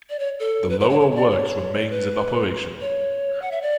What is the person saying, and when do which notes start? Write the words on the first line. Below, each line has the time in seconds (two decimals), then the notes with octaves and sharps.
The Lower works remains in operation.
0.10 D5
0.19 C#5
0.39 A4
0.70 B4
0.80 B4
0.90 C#5
1.00 C#5
1.11 C#5
1.15 D5
1.30 C#5
1.90 B4
2.81 C#5
3.42 F#5
3.51 E5
3.62 D5